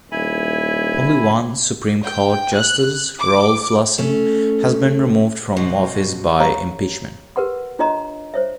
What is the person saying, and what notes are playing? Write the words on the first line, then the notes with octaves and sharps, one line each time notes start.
Only one Supreme Court Justice, Rolf Larsen, has been removed from office by impeachment.
D#1 E4 G#5 B5
G5
F#6
D6
A3 C#4
G#2 B2 F3 F#3
G4 C#5 F5 A#5 C6 C#6
G4 A#4 B4 F#5 C6
D4 F4 C#5 D#5 A#5 C6
C5 C#5 E5